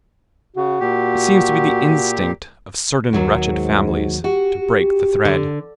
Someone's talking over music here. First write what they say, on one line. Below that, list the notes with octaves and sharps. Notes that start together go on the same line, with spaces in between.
It seems to be the instinct of certain wretched families to break the thread.
C#3 F#4
A#2 G4
D#2 F#3 F#4
G#2
F#4 G4
G4
D3